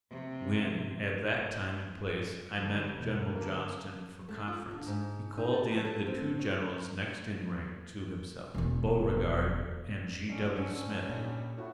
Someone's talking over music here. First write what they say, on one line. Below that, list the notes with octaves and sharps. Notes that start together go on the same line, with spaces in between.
When at that time and place I met General Johnston for conference, he called in the two generals next in rank to himself, Beauregard and G. W. Smith.
C3
D3 G3
E2 B2
D3 A#3
A3
F4
D3
G#2
D#4
A4
F3
A4
C4
C#5
E1 E2
D3 C#4 D#4
C#4 E6 C#7 D#7
C#4
A#2 G3 D#4
A2 E4 F#4